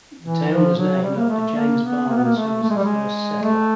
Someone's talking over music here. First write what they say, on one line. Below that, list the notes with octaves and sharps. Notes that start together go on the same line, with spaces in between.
The town was named after James Barnes, who was the first settler.
E3
F3
F#3
G3
A#3
A3
A#3
B3
A#3
B3
A#3
A3
A3
G#3
G3
G#3
A3